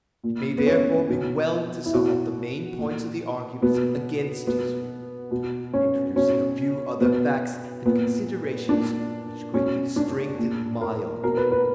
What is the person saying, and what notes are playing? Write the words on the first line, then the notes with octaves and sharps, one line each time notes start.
It may therefore be well to sum up the main points of the arguments against his view, introducing a few other facts and considerations which greatly strengthen my argument.
A#2
B3
C#4
B2
E4
B2 F#4
A#2
B2 B3
B2 B3
B2
C#4
B2 C#4
B2 B3
A#2 B3
A#2 D4
B2 C#4
D4
A#2
A#4
B2 A#4
B4
B4